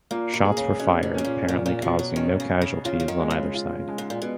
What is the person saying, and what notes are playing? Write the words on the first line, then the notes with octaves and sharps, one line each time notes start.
Shots were fired, apparently causing no casualties on either side.
A#2 A#3
B2
G#4
C#3
B2 C#4
B2
B2 C#4
A#2
A#2 C#4
A#2
B2 F3
F#3
D#3 C#4
C#3
C#4
C#3
C#3 F4
C#3
D#3
G#3
C#3
F4
G#3
G#2
A#2
B2 B3